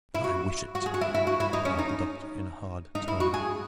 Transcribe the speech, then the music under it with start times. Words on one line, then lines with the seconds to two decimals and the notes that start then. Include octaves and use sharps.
"And I wish it," replied the doctor in a hard tone.
0.15 E4
0.24 F#4
0.75 F#4
0.86 G#4
0.94 F#4
1.01 E4
1.15 E4
1.27 F#4
1.40 E4
1.53 D#4
1.65 C#4
1.79 D#4
2.95 D#4
3.08 E4
3.20 F#4
3.34 G#4